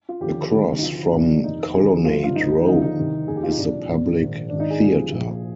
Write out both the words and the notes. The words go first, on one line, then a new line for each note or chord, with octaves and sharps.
Across from Colonnade Row is The Public Theater.
F4
D#2 D3 F3 G4
G1 G2 D#3
D#4
D2 C3 F3 F4
C2 A#2 F3 D4
F1 D#2 D#3 D#4
D2 C3 D#3 G#4
G1 G2 F3 F4
F4
G#1 G#2 D#3 D#4
D#2 D3 F3 D#4
D#4
C2 C3 D#3
F1 D#2 D#3 G#4
G4
F4
D#4
C2 A#2 F3 D4
A#1 G#2 D#3
A#1 G#2 D#3
G#1 G#2 D#3 D4
D#4
G#4
D2 C3 F3
A#1 A#2 F3